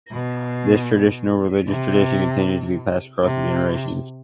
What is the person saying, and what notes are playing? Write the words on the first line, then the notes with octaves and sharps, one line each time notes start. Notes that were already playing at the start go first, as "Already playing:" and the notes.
This traditional religious tradition continues to be passed across the generations.
B2
C3
C3